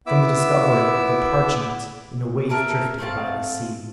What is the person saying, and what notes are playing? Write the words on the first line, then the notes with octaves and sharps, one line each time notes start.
From the discovery of a parchment in a waif drifted by the sea.
B3 E4 E5 D6 E6
A#4 E5 A5 A#5
A3 C4 F5 A5